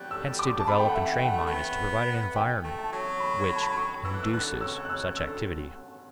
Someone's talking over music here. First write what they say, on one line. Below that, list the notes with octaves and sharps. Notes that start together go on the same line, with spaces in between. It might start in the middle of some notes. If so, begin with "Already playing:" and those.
Hence to develop and train mind is to provide an environment which induces such activity.
Already playing: G3 F#6
E6
D6
A5
A3 B5
G5
F#5
E5
G5
F#5
A3
B3
G5
A3
A5
F#3
B5
B5
A5
B5
C#6
E3 E6
F#6
E6
D3 F#6
C#3 E6
F#6
C#3 E6
D3 E6